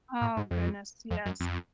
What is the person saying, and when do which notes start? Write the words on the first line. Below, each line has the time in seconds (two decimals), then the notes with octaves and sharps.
Oh, goodness, yes.
0.21 A2
0.37 G#2
0.51 F2
1.11 F2
1.26 F#2
1.40 F2